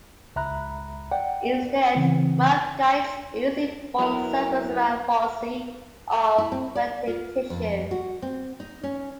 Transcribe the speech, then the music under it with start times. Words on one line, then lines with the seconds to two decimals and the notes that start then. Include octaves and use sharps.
Instead, the myocytes usually form circles around foci of connective tissue.
0.36 C#2 E5 A#5 B5 F#6
1.12 D5 F#5 G5
1.95 C#3 E3 C4
3.99 F#3 B3 E4 A#4
6.38 E4
6.52 C4
6.75 D5
7.07 F4
7.50 F2
7.91 F#4
8.22 C4
8.60 D#4
8.83 C#4